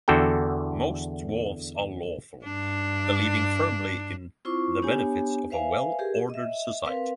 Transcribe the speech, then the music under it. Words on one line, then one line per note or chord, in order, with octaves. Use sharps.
Most dwarves are lawful, believing firmly in the benefits of a well‑ordered society.
E2 D3 F#4 A4 G5
G2 D4
C4 E4 F4 C5 C#6 D6
B3 D4 D#4 G4 C#5 G#5
B4 C5 E5 F5 G#5
G4 G#4 A#4
D#5 E5
C4 A#4 B4 F5